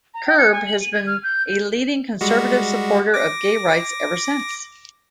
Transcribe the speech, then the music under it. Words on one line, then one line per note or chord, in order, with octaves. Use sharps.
Curb has been a leading conservative supporter of gay rights ever since.
A#5
G5
C#7
G#5
F#7
D#7
G#6
F6
G6
G3 G#3 F#4
D6 A#6